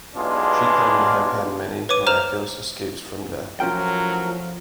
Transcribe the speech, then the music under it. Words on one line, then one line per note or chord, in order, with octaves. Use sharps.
She claimed to have had many miraculous escapes from death.
B1 E2 G#3 D4 F4
B4 C#5 D6 D#7
C5 A#5 F6 E7 F7
A2 F3 F#3 C#4 F4 A#4 G5